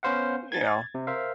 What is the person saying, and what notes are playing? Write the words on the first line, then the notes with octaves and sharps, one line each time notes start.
you know,
B3 C#4 B4 C5 F5 F#5
G#6 A6
C3
A#4 C5 E5 F5